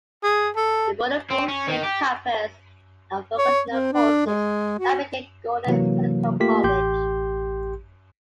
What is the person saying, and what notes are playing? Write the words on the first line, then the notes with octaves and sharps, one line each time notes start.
The Moorabool Saint campus and the vocational courses now became Gordon Technical College.
G#4
A4
C4
C#4
D#3
G4
C#5
C4
D4
G#3
F#4
C3 E3 F#3 A#3
A3 A#3 F4 G4 A#4 B6
A1 G4 C6 G6